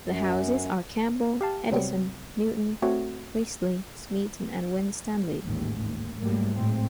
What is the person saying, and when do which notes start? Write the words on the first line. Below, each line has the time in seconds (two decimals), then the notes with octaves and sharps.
The houses are Campbell, Edison, Newton, Priestley, Smeaton and Winstanley.
0.05 F#2
1.41 G4 F5 A5
1.71 C3 F#3 G3 B3 C4
2.82 A3 C4 F#4 C#5
5.44 A1 D#2 G#2
5.81 D#2
6.22 G#2 F#3 G3 A3 A#3
6.54 A2 G#3 C4